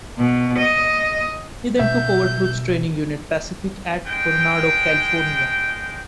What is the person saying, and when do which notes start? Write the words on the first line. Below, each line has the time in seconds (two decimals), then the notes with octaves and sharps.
He then took over Troop Training Unit Pacific at Coronado, California.
0.18 B2
0.57 D#5
1.79 B2 E5 G6
4.08 G#3 G5